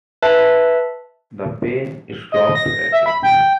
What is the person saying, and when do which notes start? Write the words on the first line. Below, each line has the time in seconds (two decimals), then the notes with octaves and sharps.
The pen stopped writing.
0.22 B4 E5 A5
2.32 D#5
2.55 A#6
2.92 E5
3.06 B5
3.23 G5